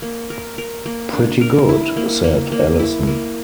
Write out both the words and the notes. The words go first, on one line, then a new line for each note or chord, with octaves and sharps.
"Pretty good," said Allison.
A#3
A#4
A#4
A#3
D4
A#4
E4
A#3
A#3
A#3
E4
A#3